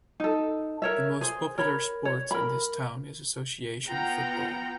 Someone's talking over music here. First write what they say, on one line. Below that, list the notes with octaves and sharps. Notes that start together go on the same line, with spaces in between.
The most popular sport in this town is association football.
D#4 A4
A#4 C#5 E5
G#4 C5
A#4 C#5 B5
C#5
A#4 B5
B3 F4 F#5 G5 A#5